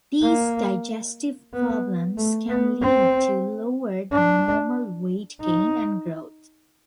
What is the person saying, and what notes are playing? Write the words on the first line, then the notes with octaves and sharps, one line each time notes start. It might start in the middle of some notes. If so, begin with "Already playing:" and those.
These digestive problems can lead to lower than normal weight gain and growth.
A#3
B3
A3
B3
C4
D4
D#4